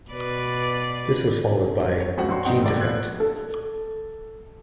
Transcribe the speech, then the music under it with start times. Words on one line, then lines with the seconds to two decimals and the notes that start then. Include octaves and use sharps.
This was followed by "Genedefekt".
0.10 B2 B4 D5
2.00 C#5
2.18 C#2 F#4 C5 F#5
2.29 G2 F#4 C6
2.45 B3 C4 D#4 D#5 F#5 G5
2.61 G#1 A2 G#3 B3 D5
2.79 A2 F3 F#6 G#6
3.20 A4